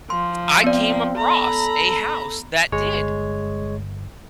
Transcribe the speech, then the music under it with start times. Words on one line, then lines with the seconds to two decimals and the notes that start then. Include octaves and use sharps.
I came across a house that did,
0.10 F3 C6
0.64 B3 C4 D5
1.17 A4 A#5 B5
2.72 G1 G#3 C#5